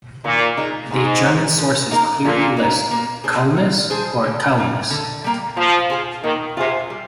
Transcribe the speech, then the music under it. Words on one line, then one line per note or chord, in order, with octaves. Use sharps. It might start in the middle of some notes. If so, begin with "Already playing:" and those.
The German sources clearly list "Calmus" or "Kalmus".
A#2 D#3
G#3 D#4
G#2 D#3
G#3 D#4
F3
A#3 D#4 A#4
A#2 F3
A#3 D#4 A#4
A#3
D4 G#4 C5
A#3
D4 G#4 C5
D3
G3 A#3
D3
G3 A#3
F3 A#3
F4 G#4 C5
D#3 A#3
C3 F4 G#4 C5
G3